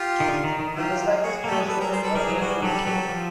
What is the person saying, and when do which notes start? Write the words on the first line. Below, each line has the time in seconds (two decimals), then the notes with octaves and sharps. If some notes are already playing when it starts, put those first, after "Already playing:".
Not the slightest trace remains of the airfield today.
Already playing: F4 G4
0.20 D#3
0.28 D3
0.44 D#3
0.59 D#3
0.74 F#3 F4 G4
1.21 F#4 G#4
1.44 A#3 G4 A4
1.52 A3
1.61 G#3
1.68 G3 A4 B4
1.80 G#4 A#4
1.91 A#4 C5
2.03 A4 B4
2.15 G3 G#4 A#4
2.29 F#3
2.39 G3 F#4 G#4
2.62 F#3 G4 A4
2.75 G3
2.87 F#3
3.09 F3